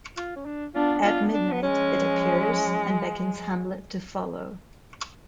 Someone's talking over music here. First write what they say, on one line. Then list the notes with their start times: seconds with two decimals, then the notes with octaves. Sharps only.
At midnight, it appears, and beckons Hamlet to follow.
0.17 F4
0.36 C#4
0.45 D4
0.75 B3 D4 F4
1.04 B3 D4 F4
1.34 D4
1.52 B3
1.63 F3 G#3 C#4